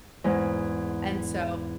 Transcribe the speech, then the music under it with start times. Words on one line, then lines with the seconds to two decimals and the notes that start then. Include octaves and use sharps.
and so,
0.24 E2 G#2